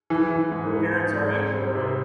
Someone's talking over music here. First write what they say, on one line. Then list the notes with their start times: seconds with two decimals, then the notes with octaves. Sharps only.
Her parents are Ecuadorian.
0.10 E3
0.30 E3
0.52 G#2
0.72 E3
0.93 G#2
1.13 G#2
1.34 C4
1.55 G3
1.75 C3